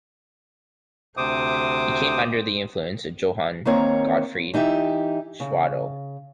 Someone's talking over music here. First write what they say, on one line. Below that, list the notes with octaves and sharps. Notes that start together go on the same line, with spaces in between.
He came under the influence of Johann Gottfried Schadow.
D2 C3 C5 D6 D#6
D#3 A#3 C4 C#5 A#5
E3 D#4 G4 E5
C#3